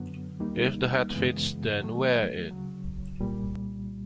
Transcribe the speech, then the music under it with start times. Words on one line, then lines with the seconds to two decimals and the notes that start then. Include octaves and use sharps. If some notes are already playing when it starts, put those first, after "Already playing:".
If the hat fits, then wear it!
Already playing: F#2 D3 F#3 B3
0.39 D#2 D#3 G3 A#3 D#4
1.10 F#2 C#3 E3 G#3 B3
1.80 D#3 F#3 A3
2.51 D2 C#3 F#3
3.20 C2 A#2 G3